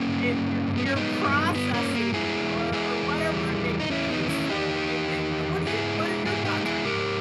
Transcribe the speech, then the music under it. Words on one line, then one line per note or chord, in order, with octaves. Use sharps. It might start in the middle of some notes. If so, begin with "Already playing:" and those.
eh y you're processing or or whatever it may be, so, it it what are you what are your thoughts on that?
Already playing: A#3 C#4
G2
G2
G2
B3
C#4
G#3 B3 D#4
G2
G2 B3
A#3 C#4
G2
A#3
G#3 E4 G#4
E2
G#3 E4 G#4
E2
G3
E2
D#4
E2 C#4 E4
B3 D#4
D#3
C#4 E4
E2 D#4 G4
E2
D#3
E2
G#2 E4 G#4
G#3
G#2 E4 G#4
D#4 G4
G#3
E4 G#4
G#2 G4 A#4